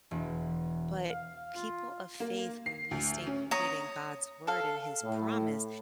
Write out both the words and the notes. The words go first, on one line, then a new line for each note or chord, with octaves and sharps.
But people of faith, when we stay rooted in God's word and His promise,
E1
F5
F4
A#3
C7
D2
C#4
C#5 A#5 D#6
A4 F5
A2